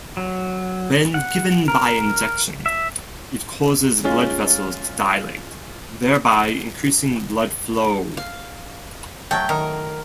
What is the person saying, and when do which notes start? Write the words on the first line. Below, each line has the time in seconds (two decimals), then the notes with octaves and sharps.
When given by injection it causes blood vessels to dilate, thereby increasing blood flow.
0.17 F#3
1.14 F#5
1.68 A#4
2.66 E5
4.04 G#3 C#4 F4
8.17 F5
9.31 F#3 A3 G5
9.49 D#3 A#4